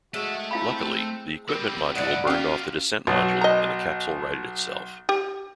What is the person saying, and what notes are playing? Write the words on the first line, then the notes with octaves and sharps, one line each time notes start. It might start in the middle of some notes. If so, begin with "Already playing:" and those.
Luckily, the equipment module burned off the descent module and the capsule righted itself.
G#3 A3 F#4 E5
C4 E4 F5 B5
G3 B3 C4 A#4
G2 E4 D5 D#5 F#5
F#3 A#3 C#4 F4 G4 F5
B1 B2 F#3
D#5 A#5
G4